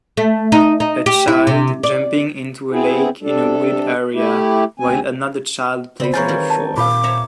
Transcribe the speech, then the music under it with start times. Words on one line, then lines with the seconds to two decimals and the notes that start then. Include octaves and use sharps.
A child jumping into a lake in a wooded area while another child plays on the shore.
0.17 A3
0.52 D#4
0.80 D#4
1.06 G4
1.28 E4
1.47 C3
1.83 D5
2.69 B3 C4 E4 G#4
3.22 C3 G3 D4 A4
4.14 A3 E4 G4
4.80 D2 C4 G#5
6.00 C#3 C4 D5 B5
6.14 E3 G#3 F4 C#5 G#5 A#5 G6 A6
6.28 D#3 G3
6.50 A5
6.78 A#2 F4 F5 D6
7.03 C#5 E5 A#5